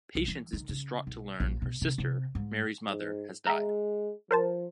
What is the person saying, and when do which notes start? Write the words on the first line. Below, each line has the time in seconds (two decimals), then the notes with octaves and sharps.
Patience is distraught to learn her sister, Mary's mother, has died.
0.15 C2
0.28 E3
0.53 D#3
0.69 C#3
1.07 B1
1.40 A#1
1.62 B2
1.82 C3
1.98 C3
2.35 G#2
2.87 G#2
3.47 G#3 E5 A#5
4.31 F3 A#4 C5 A5